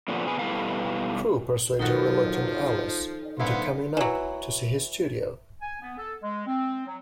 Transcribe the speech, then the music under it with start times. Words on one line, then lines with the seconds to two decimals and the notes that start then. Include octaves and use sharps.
Crewe persuades a reluctant Alice into coming up to see his studio.
0.08 A#2 D3 F3 B3
0.26 B2 G#4 B4
0.39 B2 G3 E4 A4 B4 F5
1.79 D#3 F3 F#3 D#4 F#4 A4
3.40 D#1 D3 B3 E4 C5 F5
3.97 E3 F#3
5.62 G#5
5.81 B3
5.98 A4
6.22 G#3
6.47 C4
6.87 F#3